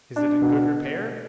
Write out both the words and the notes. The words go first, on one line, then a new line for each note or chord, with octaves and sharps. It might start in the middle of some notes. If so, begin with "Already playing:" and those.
"Is it in good repair?"
D4
B2